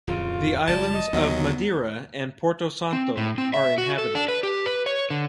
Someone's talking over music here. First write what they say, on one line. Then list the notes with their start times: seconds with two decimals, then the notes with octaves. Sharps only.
The islands of Madeira and Porto Santo are inhabited.
0.07 D1 F2 C#3 F4
0.68 F#1 F3 G#3 D5 A5
0.93 D#5
1.13 D#2 F#3 B3
2.93 C4
3.17 A2
3.38 C4
3.54 E5
3.78 F#4
3.98 A4
4.15 D4
4.28 B4
4.43 G4
4.66 B4
4.86 C#5
5.10 D3